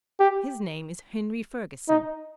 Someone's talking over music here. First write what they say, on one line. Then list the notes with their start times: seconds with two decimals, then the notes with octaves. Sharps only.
His name is Henry Ferguson.
0.20 G4
1.89 D#4